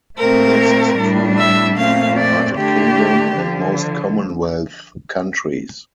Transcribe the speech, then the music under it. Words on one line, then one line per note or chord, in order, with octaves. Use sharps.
This is true in the United Kingdom and most Commonwealth countries.
A#2 A3 C4 A#4
A2 G3 D4
E5
A#2 A3 C4 F5
D5
D3 A3 D4 G4
D3 F3